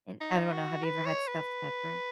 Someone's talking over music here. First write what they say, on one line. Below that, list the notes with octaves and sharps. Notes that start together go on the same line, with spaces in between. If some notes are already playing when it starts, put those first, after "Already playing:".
and I don't know, have you ever had stuffed pepper?
D#4
F#4
B4
C#5
B4